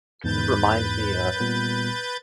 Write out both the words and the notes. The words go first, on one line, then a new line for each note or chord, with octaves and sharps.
It kind of reminds me of
E2 G#2 B4 G6 A6
A#2 G3 B3